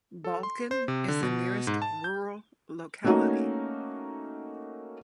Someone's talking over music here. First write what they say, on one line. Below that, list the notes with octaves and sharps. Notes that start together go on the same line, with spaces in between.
Balkan is the nearest rural locality.
A4
C6
C5
C3
D3
B2
G#2
A5
G6
A3 A#3 C#4 D#4 F#4